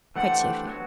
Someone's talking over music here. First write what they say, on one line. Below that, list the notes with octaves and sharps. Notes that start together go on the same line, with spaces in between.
"Quite safely."
E3 A3 D4 G4 C5 F#5
F#3 B3 F#4